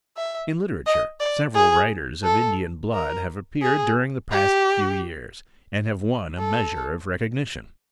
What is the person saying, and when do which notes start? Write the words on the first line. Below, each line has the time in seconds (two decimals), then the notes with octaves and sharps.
In literature several writers of Indian blood have appeared during the past few years, and have won a measure of recognition.
0.17 E5
0.86 D#5
1.20 D5
1.55 G#4
2.24 A4
2.93 A#4
3.62 G#4
4.31 G4
6.39 A4